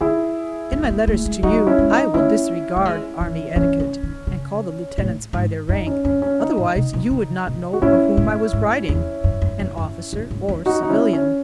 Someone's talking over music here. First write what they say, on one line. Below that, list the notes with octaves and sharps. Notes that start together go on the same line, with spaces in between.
In my letters to you I will disregard army etiquette, and call the lieutenants by their rank, otherwise you would not know of whom I was writing--an officer or civilian.
D#4 E4 G#4
C#4
A3
B3
A3
G#3
F#3 D#4 F#4
C#4 E4
G#3
D#4
A3 C#4 E4
A3
G#3
E3
E3 C#4
E3
D#3
C#3
A2
G#2
F#2 D#4
C#4
F#2 C#4
C#4
D#4
A2
B2
B2
C#3
B2
F#4
A2 C#4 E4
A2
G#2
E2
F#2
F#2
F#2
F#2
F#2
G#2
E2
D#4 F#4
D#4
C#4 E4
C#4